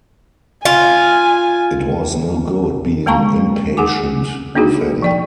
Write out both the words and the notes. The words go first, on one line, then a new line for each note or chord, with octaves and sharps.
It was no good being impatient with him.
F4 G#5
G#3 A#3 F5 A5 A#5 C#6
G#4 F#5 G#5 D6
A#3 D4 D#4 F#4 G#4
F3 D5 G5